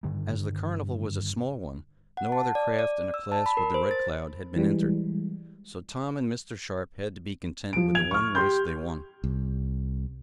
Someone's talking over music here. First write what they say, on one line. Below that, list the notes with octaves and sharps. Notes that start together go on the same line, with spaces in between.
As the carnival was a small one, no other craft in a class with the Red Cloud had been entered, so Tom and Mr. Sharp had to be content with the one race they won.
G2 D3 D#3 G3
F#5
A5
D5
D5
E6
A5
B5
A#4
C5
A6
E3 G3 G#3
F3 D7
G#6 F7
C#6 F6
G4 C6 G6
C2